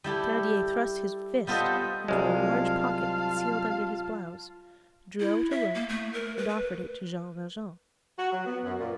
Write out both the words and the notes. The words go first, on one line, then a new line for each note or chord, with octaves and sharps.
Thenardier thrust his fist into a large pocket concealed under his blouse, drew out a rope and offered it to Jean Valjean.
G3 E4 G4 A4
G3 B3 F4 A4 C5 D#5
C2 F#3 G#3 F4 G4 F5 A5
E4
E5
A#3
A3
A#4
B4
B4
F#4
F#3
B3
F#2
A#2